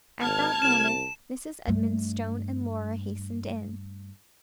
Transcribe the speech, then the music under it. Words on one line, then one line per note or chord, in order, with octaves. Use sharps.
At that moment Mrs. Edmonstone and Laura hastened in.
G#1 A5 F6 G#6
C2 E7
G2 A3